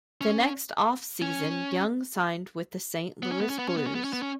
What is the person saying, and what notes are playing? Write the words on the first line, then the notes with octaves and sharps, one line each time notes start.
The next offseason Young signed with the Saint Louis Blues.
C#4
C#4
B3
C#4
B3
C#4
B3
C#4
B3
C#4
B3
C#4
B3
C#4